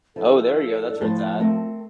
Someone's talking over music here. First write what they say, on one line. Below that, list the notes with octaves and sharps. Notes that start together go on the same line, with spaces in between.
Oh, there you go, that's where it's at.
F3 E4 A4
D5
A2 F3 C5 A5
A3 C4 A#4